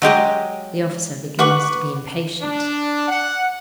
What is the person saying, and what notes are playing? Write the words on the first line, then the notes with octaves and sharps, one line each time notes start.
The officer begins to be impatient.
F#3 G#3 G4 D#5
B4 F#5 C#6 D6
D4
F#5